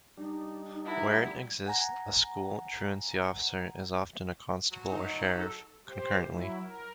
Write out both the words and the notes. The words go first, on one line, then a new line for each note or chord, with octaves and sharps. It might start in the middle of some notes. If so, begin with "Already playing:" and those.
Where it exists, a school truancy officer is often a constable or sheriff, concurrently.
G3 D4 D#4
B3 E4 A#5
F#5 G#5 A#5
F#3
D#4
A4
G4 C5
F#3 E4
A#4